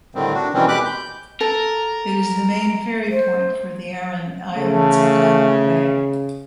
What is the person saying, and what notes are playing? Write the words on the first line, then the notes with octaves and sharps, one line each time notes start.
It is the main ferry port for the Aran Islands in Galway Bay.
A2 D3 D#3 G3 C4
D4 F#4
B2 D#3 E3 G3 C4 C#4
B2 G#3 G4 B5 D6 F#6
G6
A4 A#4
C5
C#3 A3